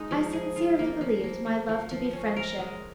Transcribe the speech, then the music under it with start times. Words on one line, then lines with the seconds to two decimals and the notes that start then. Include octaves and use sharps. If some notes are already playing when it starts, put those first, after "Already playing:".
I sincerely believed my love to be friendship.
Already playing: G#3 D#4
0.11 F3
0.33 G#4
0.56 F4
0.79 A#3
1.01 F3
1.24 A#3
1.46 A#3
1.69 F3
1.91 F3
2.13 C#4
2.36 A#4
2.58 G#3